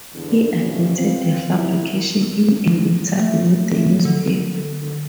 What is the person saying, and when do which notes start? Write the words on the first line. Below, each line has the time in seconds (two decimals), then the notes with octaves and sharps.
He admitted the fabrication in an interview with the newspaper.
0.15 E2 G2 D3
0.59 F2 B2 E3 F3 G3 C#4
0.97 B3 C4 F4
1.56 C#2 F#2 C3 G3 E4
3.18 A3
4.05 D3